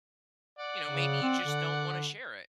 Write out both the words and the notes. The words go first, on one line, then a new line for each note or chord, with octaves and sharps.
You know, maybe you just don't wanna share it.
D5 F#5
C#3
C4
D3